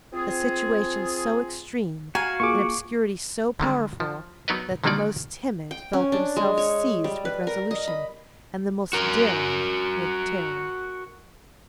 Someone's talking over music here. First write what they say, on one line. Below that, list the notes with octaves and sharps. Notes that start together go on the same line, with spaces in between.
A situation so extreme, an obscurity so powerful, that the most timid felt themselves seized with resolution, and the most daring with terror.
C4 F4 G#4
F#4 F5 G#5 A#5
A#3 F4 G#4 C#6 D6
D3 D#3 G3 G#3
F3
F#3 B3 D#4 A#4 B4 D#5
D3 D#3 F#3 A#3 D#4 D5
G5
C#4
D4
G#3
C#5
G3
B4
A#4
D#5
B5
F#4 A#4